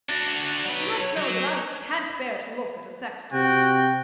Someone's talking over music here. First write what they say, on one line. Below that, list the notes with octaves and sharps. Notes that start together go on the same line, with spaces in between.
You must know that I can't bear to look at a sexton!
D4 F#4
F#3 B4
F#3
C3 F#4 G5